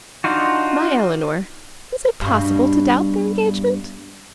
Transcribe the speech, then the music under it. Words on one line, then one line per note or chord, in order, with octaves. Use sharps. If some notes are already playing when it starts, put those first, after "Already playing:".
My Elinor, is it possible to doubt their engagement?
D4 D#4 F4 F#4
G2 B2